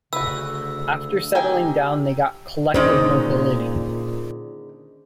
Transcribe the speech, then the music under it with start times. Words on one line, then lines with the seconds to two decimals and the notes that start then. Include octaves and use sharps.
After settling down they got collective nobility.
0.13 D2 C#3 F#4 B4 E6
1.35 D#3 G4 G5 G#5
2.74 A#2 D3 D#3 G#3 C#4 C5 D5